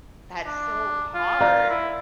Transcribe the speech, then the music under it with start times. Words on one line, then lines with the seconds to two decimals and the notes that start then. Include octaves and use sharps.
That's so hard.
0.46 D4
1.14 F4
1.41 D5 F5 A#5
1.69 E4